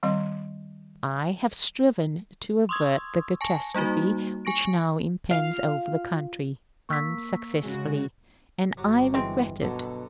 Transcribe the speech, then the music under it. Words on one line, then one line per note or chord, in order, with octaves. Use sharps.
I have striven to avert the catastrophe which now impends over the country, unsuccessfully; and I regret it.
D#3 G3 C4 D#5 C6
C6 C#6 D#6 E6 G#6
G#5 A5 C#6 A#6
G3 A#3 D#4 F#4
G#5 C#6 A#6 D7
F4 F5
A#3 C#6 E6 B6
C#3 G#3 F#4
G1 F#3 G3 F#4
E3 G#3 C4
B2 D3 F#3 A4